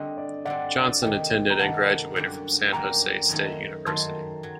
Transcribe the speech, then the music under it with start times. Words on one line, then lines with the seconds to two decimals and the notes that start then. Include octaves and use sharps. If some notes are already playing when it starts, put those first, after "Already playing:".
Johnson attended and graduated from San Jose State University.
Already playing: D3 G3 C4 D#5
0.18 D5
0.45 D3 G3 C4 D5 F#5
1.02 C3 D#3 A3 D#5 G5
1.50 A#5
1.59 C3 D#3 A3 F#5 A5
2.16 F#2 D3 G3 A#3 F#4
2.72 F#2 D3 G3 A#3 F#4 G5 A#5
3.29 F#2 D#3 F#3 A3
3.86 F#2 D#3 F#3 A3 A5 C6
4.43 F#3